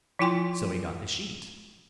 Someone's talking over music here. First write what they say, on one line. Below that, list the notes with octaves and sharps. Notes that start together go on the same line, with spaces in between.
So he got the sheet.
F3 E4 F4 G5 G#5 C6